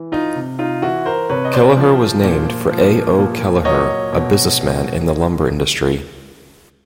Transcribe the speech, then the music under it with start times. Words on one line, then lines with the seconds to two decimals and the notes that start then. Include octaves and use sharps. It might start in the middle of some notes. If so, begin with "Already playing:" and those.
Kelliher was named for A. O. Kelliher, a businessman in the lumber industry.
Already playing: E3
0.12 D#4 F4
0.36 C3
0.59 D#4 F4
0.82 E3 E4 F#4
1.06 A#4 C5
1.30 C3 B4 C#5
1.45 D#5
1.53 C5 D5
1.77 F3
2.24 A#2
2.71 F3
3.19 A#2
3.65 F#3 C#5 D#5
4.13 B2